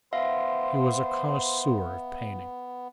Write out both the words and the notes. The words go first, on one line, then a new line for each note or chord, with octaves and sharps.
He was a connoisseur of painting.
B3 C5 E5 F5